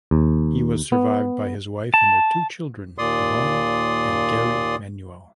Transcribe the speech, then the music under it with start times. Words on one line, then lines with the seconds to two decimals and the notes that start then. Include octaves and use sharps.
He was survived by his wife and their two children, Yvonne and Gary Manuel.
0.11 D#2
0.92 B3
1.94 A5
2.98 D#2 A#2 D5 C6 D#6